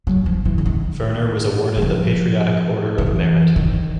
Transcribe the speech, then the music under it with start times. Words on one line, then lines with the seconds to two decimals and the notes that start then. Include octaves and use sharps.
Werner was awarded the Patriotic Order of Merit.
0.07 F#3
0.26 F3
0.45 E3
0.58 D3
0.66 D#3
1.77 E3
1.82 F3
2.98 E3
3.56 D#3